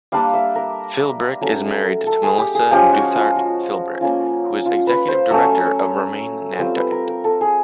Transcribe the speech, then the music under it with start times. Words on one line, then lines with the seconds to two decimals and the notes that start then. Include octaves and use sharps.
Philbrick is married to Melissa Douthart Philbrick, who is Executive Director of Remain Nantucket.
0.12 G3 A#3 D4 F5
0.34 E5
0.55 A#4
1.41 F#3 A3 C#4
2.07 A4
2.23 G#4
2.38 G4
2.55 G#4
2.71 F3 G#3 C#4 F4 G4
2.93 F#4
3.14 F4
3.36 F#4
4.01 A#3 C#4 F4
4.66 F4
4.87 B4
5.08 C5
5.30 F#3 A3 C#4 C#5
6.59 G3 C4 F4 C5
6.76 B4
6.92 A#4
7.08 A#4
7.24 A4
7.41 G#4